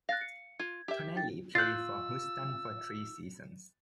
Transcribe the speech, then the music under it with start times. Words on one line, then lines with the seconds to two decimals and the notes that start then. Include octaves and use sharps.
Tonelli played for Houston for three seasons.
0.09 F5 F#6 A6 A#6
0.21 C#7
0.59 F4 G#6
0.88 G4 E5
1.16 D#4 G5 A6
1.55 F4 E6 F#6 G6 A6 C7